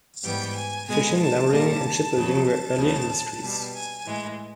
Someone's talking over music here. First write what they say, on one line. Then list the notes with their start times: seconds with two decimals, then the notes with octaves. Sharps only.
Fishing, lumbering and shipbuilding were early industries.
0.24 G#2 E3 G3 B3 G5
0.55 G#5
0.88 B2 G#3 B3 G#5
1.19 A5
1.51 A#2 G3 A#3 A5
2.15 F2 C#3 F#3
2.46 A5
2.77 D#2 C#3 F3
3.42 B2 G3 B3
3.74 G#5
4.05 A2 E3 G#3